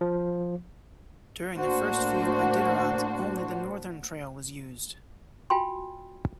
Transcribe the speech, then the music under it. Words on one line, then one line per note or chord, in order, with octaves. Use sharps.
During the first few Iditarods only the northern trail was used.
F3
A2 A#3 D4 F#4 C5
F4 F#4 G5 G#5 B5 C6